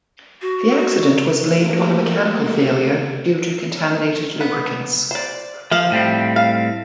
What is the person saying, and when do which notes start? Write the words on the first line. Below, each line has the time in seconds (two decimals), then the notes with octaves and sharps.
The accident was blamed on a mechanical failure due to contaminated lubricants.
0.42 F#4
0.78 F#4
1.44 A3 A#3 F#4 G4 A4 A#4
4.41 B3
5.11 C5 D5
5.71 F3 F4 C5 F5
5.91 A2 G3 C4
6.36 F5